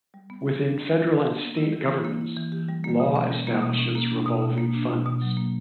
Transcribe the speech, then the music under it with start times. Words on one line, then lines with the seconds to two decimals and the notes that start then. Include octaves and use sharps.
Within federal and state governments, law establishes revolving funds.
0.14 G3
0.30 B3
0.46 D3
0.62 D4
0.77 G3
0.94 B3
1.10 D3
1.25 D4
1.41 A#3
1.57 E4
1.72 E3
1.88 G4
2.04 A#3
2.21 E4
2.36 E3
2.52 G4
2.69 G3
2.84 A#3
3.00 B2
3.16 C#4
3.31 G3
3.47 A#3
3.62 B2
3.79 C#4
3.95 A#3
4.11 D4
4.26 B2
4.42 B2
4.58 A#3
4.74 D4
4.90 B2
5.06 B2
5.22 F#3
5.37 A#3